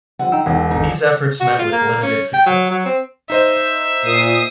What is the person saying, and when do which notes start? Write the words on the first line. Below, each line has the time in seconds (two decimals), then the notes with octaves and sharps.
These efforts met with limited success.
0.19 D3 F3 G3 F4 F#5
0.32 D#4 G5 E6
0.46 E1
0.71 G#1 D3 D#4 D#5
1.40 F#4
1.59 F4
1.72 A#3
2.03 C#4
2.33 G5
2.46 F#3
2.71 F#3
2.85 C4
3.30 D#4 C5 D#5 E5
4.05 A#2 D#6 C7